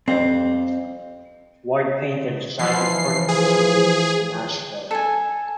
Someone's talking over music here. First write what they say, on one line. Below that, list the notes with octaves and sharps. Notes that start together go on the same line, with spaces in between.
Ward painted society portraits in Nashville.
F2 G3 C4
E3 F3 C7
G#4
A4 G#5